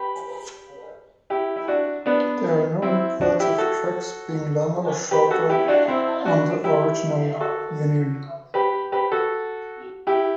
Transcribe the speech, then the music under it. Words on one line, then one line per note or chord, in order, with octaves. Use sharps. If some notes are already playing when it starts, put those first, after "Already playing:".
There are no reports of tracks being longer or shorter on the original vinyl.
Already playing: G4 B4
E4 G4
E4
D4 F#4
B3 D4
C4 E4
D4 F#4
E4 G4
F#4 A4
G4 B4
F#4 A4
E4 G4
D4 F#4
C4 E4
D4 F#4
E4 G4
F#4 A4
G4 B4
G4 B4
F#4 A4
E4 G4